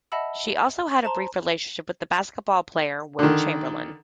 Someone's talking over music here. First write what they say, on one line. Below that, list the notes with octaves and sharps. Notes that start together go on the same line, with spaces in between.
She also had a brief relationship with basketball player Wilt Chamberlain.
D#5 E5 F#5 A5 B5 E6
C5 A5 A#5 C6
D3 D#3